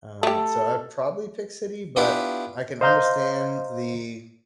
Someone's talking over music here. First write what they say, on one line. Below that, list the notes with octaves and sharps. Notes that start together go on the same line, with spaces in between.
um, so I'd probably pick city, but I can understand the
A3 G4 A4
B3 D4 E4 F4 G4 B4
C5 D#5 F5 A#5 C6 G6